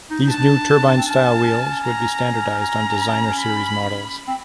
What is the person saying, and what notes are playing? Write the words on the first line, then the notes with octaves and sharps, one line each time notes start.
These new Turbine Style wheels would be standard on Designer Series models.
D#4
D#4
D4 A5
C4
C#4 A5
A#5
A#5
B5
C4